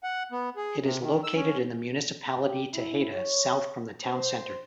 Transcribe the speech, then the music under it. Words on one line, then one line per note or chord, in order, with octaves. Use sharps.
It is located in the municipality Tejeda, south from the town centre.
F#5
B3
G#4
C3
D#3
E6
C#4
G4
E4
C#5
C5